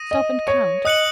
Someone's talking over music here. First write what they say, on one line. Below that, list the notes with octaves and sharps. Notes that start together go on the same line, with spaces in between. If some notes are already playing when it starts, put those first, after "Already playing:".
Stop and count.
Already playing: D#6 A#6 D#7
D#5
C#5
D#5 D#6 F#6 C#7 F#7